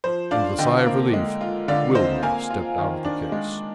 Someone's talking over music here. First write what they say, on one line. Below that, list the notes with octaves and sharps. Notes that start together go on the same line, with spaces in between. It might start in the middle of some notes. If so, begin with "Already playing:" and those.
And with a sigh of relief, Wilma stepped out of the case.
F3 C5
D4 D5 F5
D3 D#5 G5
A#3
G#3
F4
D3 D5 F5
C4 C5 D#5
A#3 F5 G#5
F4
D#3
D4
G#3